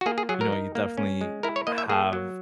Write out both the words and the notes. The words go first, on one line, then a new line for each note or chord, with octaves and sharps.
you know, you definitely have
F#4
A#3 G#4
G#4
F#3 G#4
A#4
D#4
A#3
C#4
G#3
E4 A#4
C#5
A#3 D#5
E5
A#3 G#4
F#3